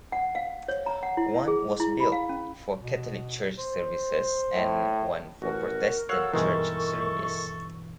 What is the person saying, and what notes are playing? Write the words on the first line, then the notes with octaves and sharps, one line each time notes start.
One was built for Catholic church services and one for Protestant church service.
F#5
F5
C#5
A#5
F#5
E4
E5
G#4
E4
B5
F5
C#4
B2
C5
A2
A1 F#4 A#4
F#4 A4 C#5 F5 F#5 E6
G2 B2 D#3 E3 G#3 E4 A4 C#6